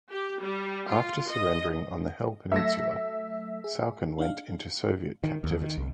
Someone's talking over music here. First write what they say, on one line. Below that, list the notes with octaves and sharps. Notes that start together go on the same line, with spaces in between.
After surrendering on the Hel Peninsula, Saucken went into Soviet captivity.
G4
G3
F4
D#5
F#3 A3 A4 E5 A#6
G#4
D4 D#4 F5
D#3
D#2
D#3
C2